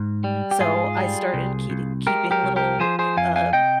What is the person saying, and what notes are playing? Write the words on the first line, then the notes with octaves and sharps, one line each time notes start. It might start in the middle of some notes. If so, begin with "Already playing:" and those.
so I started keeti keeping little, eh, uh,
Already playing: G#2
G3
G4
G#2 F4 G#4
G3
C2
C2
G#3 G4 A#4
G4 A#4
C2
G4 A#4
F3 G#4 C5
G#4 C5
F2 F5 G#5
F5 G#5
C3 D#5 G5